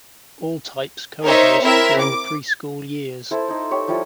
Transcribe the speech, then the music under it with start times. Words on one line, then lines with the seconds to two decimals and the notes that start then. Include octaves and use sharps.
All types coexist during the preschool years.
1.25 D#4 A#4 C5 C#5 E5
1.62 C4 E4 A#4 E5
2.00 D6
3.31 E4 A4 C5
3.48 D#4 C5
3.71 G4 C#5
3.88 F3 G3 E4 F4